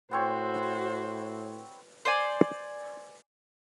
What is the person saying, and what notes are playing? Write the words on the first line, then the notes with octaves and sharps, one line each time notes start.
The film received a mixed response from critics.
A2 B3 C4 F#4 C5 C#5
C5 D5 G#5